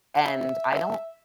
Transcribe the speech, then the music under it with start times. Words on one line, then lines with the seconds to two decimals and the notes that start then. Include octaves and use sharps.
and I don't
0.23 E5